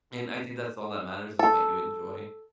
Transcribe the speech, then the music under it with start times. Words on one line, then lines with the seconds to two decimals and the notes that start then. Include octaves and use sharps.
And I think that's all that matters is what you enjoy.
1.39 A4